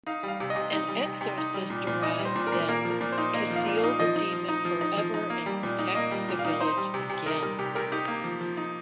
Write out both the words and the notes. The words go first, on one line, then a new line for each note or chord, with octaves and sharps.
An exorcist arrived then to seal the demon forever and protect the village again.
D#4 F5
G3 F5
C3
D#5
C3
D#4
G3
C3
C3
D#4
G3
A#2
A#2
D#4 D#5
G3
C5
A#2
A#4
A#2
A#3 A#4
F3
A#4
A#2
C5
D#4
A#3 D#5
F3
F5
A#2
F5
D#4
F3 D#5
D#4
F3
D#4
F3
D#4
F3
D#4
A#3
G3
A#2
D#4
A#3 D#5
G3
A#2
F5
D#4
D#4 C5
G3
C3
C3
D#4 A#4
G3 A#4
C3 G4
C3 A#4
D#4 G4
A#3
F3
F3
D#4